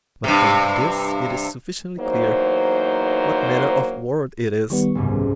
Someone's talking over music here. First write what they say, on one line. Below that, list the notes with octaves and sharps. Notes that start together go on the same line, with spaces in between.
But from this it is sufficiently clear what manner of world it is.
G2 C3
E2 F#3 A#3 D#4 C5
D#3 G3 B3 C#6
F#1 C2 G#2